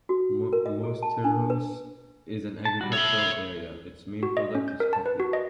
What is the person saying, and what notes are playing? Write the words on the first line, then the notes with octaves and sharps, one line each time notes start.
Mosteiros is an agricultural area, its main product is coffee.
F#4
A#4
D#5
G#4
A5
D4
B4
A5
G3 F#4
C#5 E5 B5
F#4
D#5
C#4
G6
A#4
A5
B4
F#4
D#5